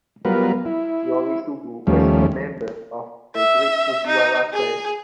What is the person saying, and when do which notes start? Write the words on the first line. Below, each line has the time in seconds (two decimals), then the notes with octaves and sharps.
Yoritsugu was a member of the great Fujiwara clan.
0.25 F#3 G3 B3 F4 A#4 B4
0.65 E4
1.87 D#2 F3 G3 A3 C#4
3.35 E5
4.07 D#4
4.53 G#4